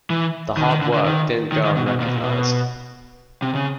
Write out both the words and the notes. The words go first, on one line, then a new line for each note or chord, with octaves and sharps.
The hard work didn't go unrecognized.
E3
D#3
D3
D#3
D3
D3
D#3
D#3
D#3
B2
B2
A#2
B2
A#2
B2
C3
C#3